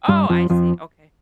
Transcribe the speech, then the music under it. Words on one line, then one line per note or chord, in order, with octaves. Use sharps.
oh, I see, okay.
G2 G3
F2 F3
F2 F3